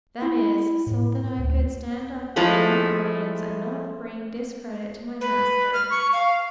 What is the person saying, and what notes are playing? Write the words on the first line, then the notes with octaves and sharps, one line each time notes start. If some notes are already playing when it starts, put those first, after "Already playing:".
That is, so that I could stand up before an audience and not bring discredit to my Master.
E4
A2
D2
F3 G#3 A3 E4
B4
F6
C#6
F5